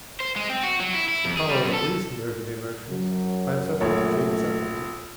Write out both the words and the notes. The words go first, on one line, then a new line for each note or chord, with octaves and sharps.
The power of reason over the emotions I have settled to treat separately.
C5
G#3
C4
F#4
F#3
E4
E4
F2
G#4
G3
F#2
A4
F#2 F#3
A#1 A3 C#5